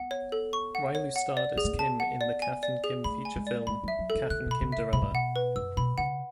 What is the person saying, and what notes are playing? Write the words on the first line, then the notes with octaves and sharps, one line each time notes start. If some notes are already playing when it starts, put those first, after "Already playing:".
Riley starred as Kim in the Kath and Kim feature film "Kath and Kimderella".
Already playing: B3 F#5
C#5
A4
C#6
F#5
C#5
F#5
D5
B3 G#4
A3
B3
A5
F#5
D5
G#5
D5
G#4
A3 B5
G#5
G#3
D5
G#3 B5
F#3 E5
F#3
A4
E3
D3 F#6
B2
B5
C#3
C#3 E5
B2 B5
A2
B2 F#5
B4
F#2 E6
B2 B5
C#3 F#5